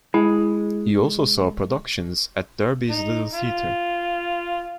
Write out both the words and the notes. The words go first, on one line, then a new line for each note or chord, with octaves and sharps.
He also saw productions at Derby's Little Theatre.
G#3 E4
D#4
F4